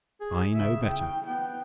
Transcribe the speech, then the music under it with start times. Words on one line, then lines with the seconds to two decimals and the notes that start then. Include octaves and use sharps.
I know better.
0.21 G#4
0.53 C#3 E5
0.85 G5
1.27 B3 G5